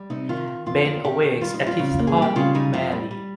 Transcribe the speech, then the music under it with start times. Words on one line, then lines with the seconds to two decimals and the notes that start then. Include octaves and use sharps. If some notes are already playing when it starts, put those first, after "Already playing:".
Ben awakes at his apartment with Mary.
Already playing: G3
0.10 C3 D#4
0.29 D#3 F4
0.48 D#3
0.66 F2 F4
0.85 D#3 F4
1.04 D#3 G4
1.23 D#3
1.41 G3 F4
1.54 D#4
1.61 G3
1.67 F4
1.79 C#3
1.99 A#3
2.07 G#4
2.17 G3
2.22 G4
2.36 C#3 F4
2.54 G3 D#4
2.73 F2 F4
2.92 G3
3.11 G3